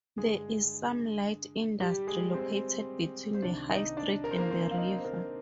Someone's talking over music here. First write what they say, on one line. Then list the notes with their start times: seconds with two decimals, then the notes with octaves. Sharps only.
There is some light industry located between the high street and the river.
0.17 G2 D3 G#3 G#4
1.80 G3 G4
2.07 G#3 G#4
2.34 C4 C5
3.34 C5
3.42 C2 C3 D#3 D4 D5
3.69 D#4 D#5
3.97 D4 D5
4.24 A#4
4.31 C5
4.38 A#3 A#4
4.51 C4 C5
4.71 F5
4.78 D#4 D#5
4.97 C5
5.05 A#3 A#4